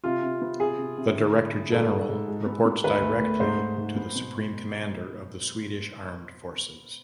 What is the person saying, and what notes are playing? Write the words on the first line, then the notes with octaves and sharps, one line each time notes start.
The director general reports directly to the Supreme Commander of the Swedish Armed Forces.
C3 F4
C3
B3
C3 G#4
C3
C3
D3
E4
E4
G#2 A4
G#2
G#2
G#3
B3
B3
D2 B4
A3
A3
G#2 C5
G#2
G#2
B3
B2